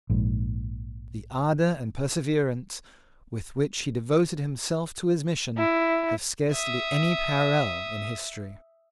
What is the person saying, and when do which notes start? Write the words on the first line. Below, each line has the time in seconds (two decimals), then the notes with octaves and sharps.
The ardour and perseverance with which he devoted himself to his mission have scarcely any parallel in history.
0.10 A#1 G#2
5.58 E4
6.52 E5 D#6